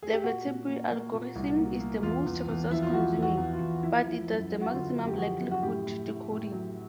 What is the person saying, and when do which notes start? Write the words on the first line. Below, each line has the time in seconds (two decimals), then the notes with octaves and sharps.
The Viterbi algorithm is the most resource-consuming, but it does the maximum likelihood decoding.
0.02 G#4
0.13 G4
0.23 A#2 F#4
0.46 A#2
0.68 A#3
0.91 A#3
1.13 A#2
1.36 C2
1.57 A#3
1.80 A#3
2.02 E2 F4
2.26 E2
2.48 E2
2.70 F3 E4
2.82 F4
2.93 F3 F#4
3.15 E2
3.22 F#4
3.37 E2
3.53 F4
3.60 E2
3.83 F3 E4
4.06 F3
4.28 F#2
4.50 F#2
4.61 F#4
4.73 D3 F4
4.95 F#2
5.08 G4
5.17 F3 F#4
5.40 F#2
5.51 F#4
5.62 A2 G4
5.86 A2
6.08 A2
6.31 A2
6.52 F#3